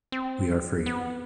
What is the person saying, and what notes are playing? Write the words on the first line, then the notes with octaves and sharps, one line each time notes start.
We are free.
C4
B3